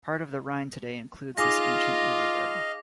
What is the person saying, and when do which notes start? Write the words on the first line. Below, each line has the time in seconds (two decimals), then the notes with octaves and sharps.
Part of the Rhine today includes this ancient riverbed.
1.37 D#4 F4 G#4 D#5 F5 D6 A#6